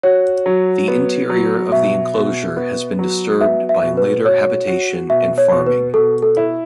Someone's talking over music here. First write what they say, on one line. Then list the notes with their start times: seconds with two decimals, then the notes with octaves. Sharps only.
The interior of the enclosure has been disturbed by later habitation and farming.
0.03 F#4 C#5
0.46 F#3
0.88 B3
1.30 F#3
1.72 B2 E5
2.14 B2
2.57 B3
2.99 F#3
3.40 B3 E5
3.69 E5
3.83 B2
3.97 B4
4.25 F#4 C#5
4.68 F#4
5.10 B2 E5
5.38 C#5
5.52 B2
5.66 B4
5.94 B2 A4
6.22 A4
6.37 E4